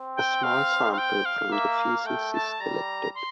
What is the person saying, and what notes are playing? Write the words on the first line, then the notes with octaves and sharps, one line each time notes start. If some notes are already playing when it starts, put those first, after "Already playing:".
A small sample from the feces is collected.
Already playing: C4
G5
F5
F5
G5
F5
A#3 E5
F5
A3 G5
A5
G3 A#5
C6